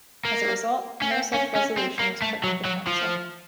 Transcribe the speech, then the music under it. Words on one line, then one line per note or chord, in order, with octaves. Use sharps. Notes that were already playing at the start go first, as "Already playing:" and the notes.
As a result, no such resolution was put to the Council.
A#3
C#4
C4
C#4
C#4
C4
A#3
A3
F#3
F#3
F3